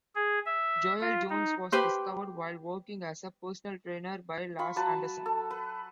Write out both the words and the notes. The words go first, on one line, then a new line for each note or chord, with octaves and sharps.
Joel Jones was discovered while working as a personal trainer by Lars Anderson.
G#4
E5
F4
D#4
G4 B4 C5
F4 B5 C#6
F#3 B4 A5 B5
A4
B4